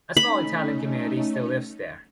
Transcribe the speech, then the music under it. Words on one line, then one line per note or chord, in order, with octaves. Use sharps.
A small Italian community still lives there.
A3 C#4 D#4 B5